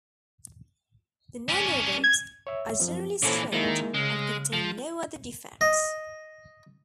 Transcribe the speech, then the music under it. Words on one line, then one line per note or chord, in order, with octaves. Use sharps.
The nanorods are generally straight and contain no other defects.
C#4 D4
G#6
C#5 E5
F#2 F3 C4
A#2 E3 C#4 A4 C5
D#3 G#3 A#3 E4
C#3 G#3 F6
F3
D#5